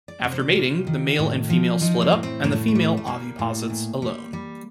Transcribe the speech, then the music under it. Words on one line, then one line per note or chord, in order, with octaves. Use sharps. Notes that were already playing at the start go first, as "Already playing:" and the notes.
After mating the male and female split up and the female oviposits alone.
D5
C3 D#5
C5
D5
G3 F4
D#3
A2
F3
F3 D#4
A#3
A2
C4
A2 A#3
A3
A3
G3
A3
G3 A#3
A2
A#2
G3
G3